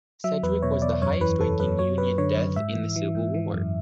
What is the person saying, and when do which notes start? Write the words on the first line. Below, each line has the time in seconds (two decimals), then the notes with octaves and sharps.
Sedgwick was the highest-ranking Union death in the Civil War.
0.24 F#3 E5
0.43 E2 B4
0.63 B2 C#5
0.82 E2 D5
1.02 F#2 C#5
1.21 E3 B4
1.40 E3 A4
1.60 F#2 B4
1.79 F#3 C#5
1.98 F#2 B4
2.18 D3 C#5
2.37 F#2
2.56 G#2 E5
2.75 E3
2.96 E3
3.15 G#2
3.34 E3
3.53 F#2